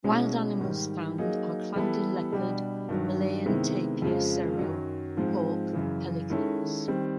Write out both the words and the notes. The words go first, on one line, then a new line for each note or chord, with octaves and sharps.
Wild animals found are clouded leopard, Malayan tapir serow, hawk, pelicans.
B2 G#3 C#4 E4
G#2 D#3 G3
F#3 A#3 D#4 G#4
E3 G3 B3 E4 A4
B2 G3 B3 D4 G4
G2 D#3 F#3
C3 D#3 G#3 B3 E4
F2 C#3 F3 G#3
F#2 D#3 F#3
G#2 F3 G#3 C4
F#2 C#3 E3
D#3 G#3 C#4 E4 A4
D#3 G3 C4